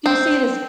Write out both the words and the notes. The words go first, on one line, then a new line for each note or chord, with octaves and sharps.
Do you see it as t
C4